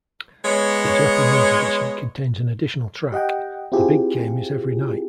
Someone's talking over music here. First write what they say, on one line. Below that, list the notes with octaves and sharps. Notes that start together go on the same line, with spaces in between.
The Japanese edition contains an additional track, "The Big Game Is Every Night".
G#3 B3 C#5
G4 D#5 F#5 G5
C4 E4 F4 G4 G#4